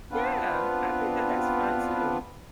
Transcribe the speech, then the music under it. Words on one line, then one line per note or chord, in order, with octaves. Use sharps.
Yeah, I think that that's fine too.
B3 C4 D4 F4 B4